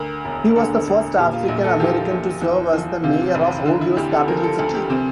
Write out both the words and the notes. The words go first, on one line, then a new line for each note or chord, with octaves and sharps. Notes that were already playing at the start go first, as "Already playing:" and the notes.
He was the first African-American to serve as the mayor of Ohio's capital city.
Already playing: D2 A#4
E1
D3 A4
E1
A#2 G4
F4
A#1
A4
F3 G4
A#1
E2
F3
C3 F4
F1
D3 F4
E4
D2 G4
A4
F3 A#4
A4
D2 A4
G4
C3 C4